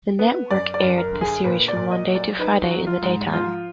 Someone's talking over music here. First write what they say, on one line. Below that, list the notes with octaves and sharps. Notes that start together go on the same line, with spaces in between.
The network aired the series from Monday to Friday in the daytime.
B3
F#2 D5
D5
F#2
A#4
D3
G#4
A#2 B4
D5
A#2
D#5
F#3
D5
D#4 B4
F#4
F#3
F4
G#2
F3 F4